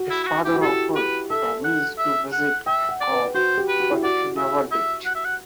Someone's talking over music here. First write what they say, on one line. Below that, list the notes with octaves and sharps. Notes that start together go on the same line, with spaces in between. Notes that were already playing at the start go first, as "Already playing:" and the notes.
His father often promised to visit or call, but he never did.
Already playing: F#4
E4
E4
F#4
E4 G4
F#4
G4 A4
B4
A4 E5
F#5
E5
F#5
E5 G5
F#5
D5
B4
F#4 C5
G4
B4
F#4
E4
F#4 D5
E5
E5
F#5
E5
F#5